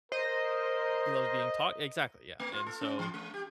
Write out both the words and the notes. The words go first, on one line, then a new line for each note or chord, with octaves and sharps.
he loves being talk exactly, yeah, and so
A#4 C5 D#5
A3
F4
A4
C#4
E3
G#3
G4